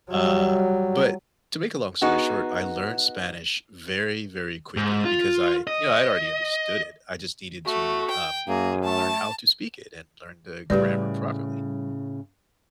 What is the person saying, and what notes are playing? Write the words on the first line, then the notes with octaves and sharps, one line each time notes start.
Uh, but to make a long story short, I learned Spanish very, very quickly because I, you know, I'd already understood it. I just needed to, um, you know, learn how to speak it and learn the grammar properly.
F#3 G3
B3 D#4 F#4 G#4
G#2
F4
D#5
A3 F#4
G5
F#2 A#3 G#4
A3 A5
A2 C#3 G3 G4 B4 D5